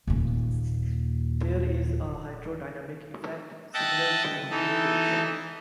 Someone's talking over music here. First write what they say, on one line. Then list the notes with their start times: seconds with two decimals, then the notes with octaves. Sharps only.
There is a hydrodynamic effect similar to windage.
0.07 D#1 A#2
3.74 D#5 E5 F#5 G5 A5 D#6
4.50 E3 D#4 A4